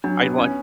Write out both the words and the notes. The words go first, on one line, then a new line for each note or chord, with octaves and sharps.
I'd watch
F#3 D4
B3
C#4